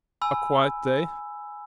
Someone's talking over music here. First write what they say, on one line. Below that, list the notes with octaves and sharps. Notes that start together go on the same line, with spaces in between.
A quiet day.
G#5 B5 E6